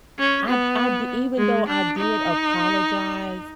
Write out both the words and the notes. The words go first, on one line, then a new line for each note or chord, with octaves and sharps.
I d I di even though I did apologize,
C#4
B3
G#3
D4
D#4